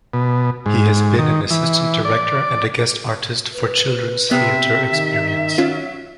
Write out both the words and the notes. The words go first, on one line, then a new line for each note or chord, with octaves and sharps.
He has been an Assistant Director and a Guest Artist for Children's Theatre Experience.
B2
G#2
D#3
E3
D5
B4
C3 B3 E5
D#3
F#3 C#4 F4